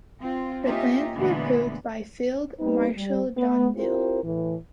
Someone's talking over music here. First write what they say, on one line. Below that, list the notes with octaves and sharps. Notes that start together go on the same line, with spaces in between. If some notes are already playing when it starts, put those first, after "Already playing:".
The plans were approved by Field Marshal John Dill.
C4 F4
A#3 C#4 D#4 F4 G4 E5
A#2 D3 E3 G#3 A3 B3
G3 B3 C4 D#4 B4
G3
B3
C4 E4 F4 G4 A#4 C5
A2 E3